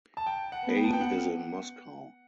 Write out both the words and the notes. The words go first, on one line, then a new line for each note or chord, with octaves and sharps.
A is in Moscow.
A5
G5
F#5
B3
G5
A5
G5
F#5